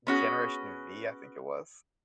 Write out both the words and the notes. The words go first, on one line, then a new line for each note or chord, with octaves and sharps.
Generation V, I think it was?
B3 C#4 F#4 G#4